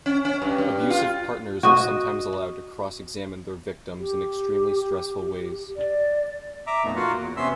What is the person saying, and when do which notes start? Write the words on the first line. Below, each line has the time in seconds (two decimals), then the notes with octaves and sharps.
Abusive partners are sometimes allowed to cross examine their victims in extremely stressful ways.
0.06 C#4
0.25 C#4
0.42 G2
0.58 G2
0.90 F4
1.63 F#4 D#5
3.98 G4
5.76 D5
6.67 E5 A#5 D6
6.84 F2 A#2 A3 B3 D#4
6.96 A#3 F4 F#4 F#5
7.17 E2
7.36 C3 B3 C#4 E5 C6 E6